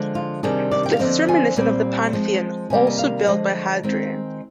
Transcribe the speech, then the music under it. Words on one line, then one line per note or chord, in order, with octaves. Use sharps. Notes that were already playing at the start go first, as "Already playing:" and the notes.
This is reminiscent of the Pantheon, also built by Hadrian.
Already playing: D3 F3 G#3
F4
C3 D#3 G3 D4 G#4
D5
G5
F5
D3 F3 C4 D#5
G#5
A#2 G3 C4
F3 G#3 C4
C3 D#3 G3 A#3 G#5
D#5
F5
D3 F3 G#3 D#5
D#3 G#3 C4